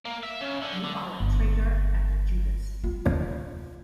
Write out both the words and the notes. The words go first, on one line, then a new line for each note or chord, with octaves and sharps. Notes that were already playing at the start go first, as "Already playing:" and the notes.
You are a traitor and a Judas.
A#3
E5
C#3
D3
D3
G1
F4